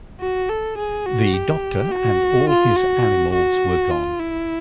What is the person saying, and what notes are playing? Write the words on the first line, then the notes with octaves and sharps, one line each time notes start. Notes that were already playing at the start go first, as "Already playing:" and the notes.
The Doctor and all his animals were gone.
F#4
A4
G#4
F#4
G4
F#4
F4
F#4
F#4
F4
E4